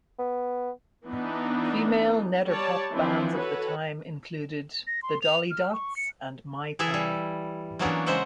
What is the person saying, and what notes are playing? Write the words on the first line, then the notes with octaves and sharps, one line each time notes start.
Female Nederpop bands of the time included the Dolly Dots and Mai Tai.
B3
E3 B3 D4 D#4
G3 C#5 D5 A5
E3 F3 C4 D4 E4
F#4 A4 B4 C#5
A#6
C6
F7
F6
C#6
C#7
E3 E4 G#4 A4 E5
G3
E3 F#3 A#3 B3 C#4 D4
C#3 G#3 C5 D#5 E5 F#5